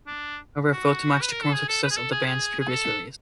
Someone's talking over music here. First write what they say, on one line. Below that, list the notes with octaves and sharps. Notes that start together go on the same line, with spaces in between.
However, it failed to match the commercial success of the band's previous release.
D4
F#4
B4
A#4
A4
G#4
A4
B4
G#4
A4
G#4
G#4
G#4
A4